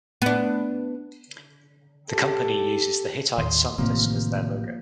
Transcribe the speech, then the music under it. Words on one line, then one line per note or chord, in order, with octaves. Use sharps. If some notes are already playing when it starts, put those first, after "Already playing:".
The company uses the Hittite sun disk as their logo.
B3 D4
G4 A4
D#2 A2 D#3 C6 D#6
A1 C3 D#3 F3 A#3 C4